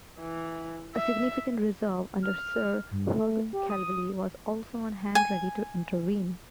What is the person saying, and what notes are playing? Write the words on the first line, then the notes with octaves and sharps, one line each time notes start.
A significant reserve, under Sir Hugh Calveley, was also on hand ready to intervene.
E3
E5
F6
G2
A3
G4
D#6
G#5